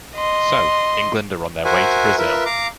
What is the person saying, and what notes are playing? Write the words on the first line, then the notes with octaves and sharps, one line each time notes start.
So, England are on their way to Brazil.
D#5 C6
F#4 A#4 C5 E5 F#5 G#5
F4 A#4 B4 E5
F5 A#5 D6